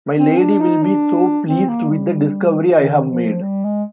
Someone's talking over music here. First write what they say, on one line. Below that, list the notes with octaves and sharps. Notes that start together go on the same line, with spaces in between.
My lady will be so pleased with the discovery I have made.
C4
D4
D#4
D4
C4
A#3
G3
D#3
F3
G3
G#3